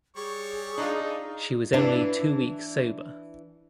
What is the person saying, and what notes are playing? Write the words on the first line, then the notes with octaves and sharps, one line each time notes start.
She was only two weeks sober.
G3 G#4 C#5 C#6
D4 D#4 F4
E3 D4